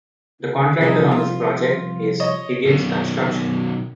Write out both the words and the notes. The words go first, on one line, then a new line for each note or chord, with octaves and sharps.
The contractor on this project is Higgins Construction.
C3 F3 G3 D#4 E4 G#4
F4
C#5 D#5
B1 D#3